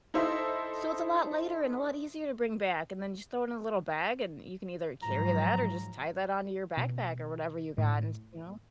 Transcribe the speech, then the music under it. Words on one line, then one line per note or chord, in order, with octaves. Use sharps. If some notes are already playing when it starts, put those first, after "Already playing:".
so it's a lot lighter and a lot easier to bring back, and then just throw it in a little bag, and you can either carry that or just tie that onto your backpack or whatever you got and s you know?
D#4 E4 A4 C5 D#5 E5
G#2 F3 F#3 A#5
B2
A2